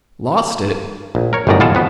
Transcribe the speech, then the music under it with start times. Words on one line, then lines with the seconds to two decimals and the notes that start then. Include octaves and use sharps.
"Lost it?"
1.15 A#1
1.33 A#4 C#5
1.47 G1 F#2 A2 D#3 D5 A#5
1.60 B2 E3 F4 A4 A5
1.75 F2 B3